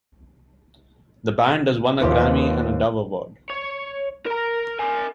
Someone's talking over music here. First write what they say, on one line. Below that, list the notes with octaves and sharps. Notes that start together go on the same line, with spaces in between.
The band has won a Grammy and a Dove Award.
D#2 E3 F3 G4
C#5
A#4 A#5
A#4 G#5